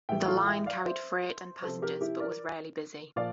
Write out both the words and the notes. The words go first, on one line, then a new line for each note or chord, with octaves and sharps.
The line carried freight and passengers but was rarely busy.
A2 E3 G3 E5 G5
F4 A4
E5 G5
D5 F5
C5 E5
C3 F3 A4 C5
G4 A#4
E4 G4
A#4 D5
A#2 F3 D5 F5